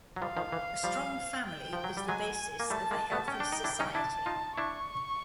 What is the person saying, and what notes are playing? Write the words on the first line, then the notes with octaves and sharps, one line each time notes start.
A strong family is the basis of a healthy society.
F#3
F3 G3 F5
D#3 F3
E3
F3 G3
G5
F3
F#3
G3
F#3 G#3 G#5
A#3
G3 A3 A5
G#3 A#3
A3 B3
C#4
G5
D4
D#4
D4 E4
C#4 D#4
D4 E4 A5
D#4 F4
D4 E4 C#6